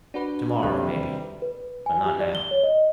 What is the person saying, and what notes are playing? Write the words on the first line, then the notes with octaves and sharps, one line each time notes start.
Tomorrow maybe, but not now.
D4 F#4 B4
D#2 C3 G3 G4 A4 C5
B4
G#5
G4
D5
G7
C#5
D#5